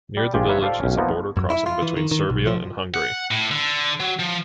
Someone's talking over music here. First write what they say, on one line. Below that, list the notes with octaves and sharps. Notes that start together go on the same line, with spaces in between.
Near the village is a border crossing between Serbia and Hungary.
G3
A#1 G#3 F4 G4 D5 G5
D#4 F4 B4 C#5 E5
F4 G4 A4 C5 D5 F5
B1 C#4
F3 A#3 B3 D#4 E4
F#2
E4
F4
E3
D#3
D#3
B1
F3
F#5
A2
D3
F#3
F3